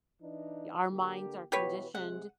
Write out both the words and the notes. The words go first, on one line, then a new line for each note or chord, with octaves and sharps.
Our minds are conditioned
E3 D4 D#4
D3 A#3 G4
B2 E3 F#4 G4 B4 C#5
C3 G#3 F#5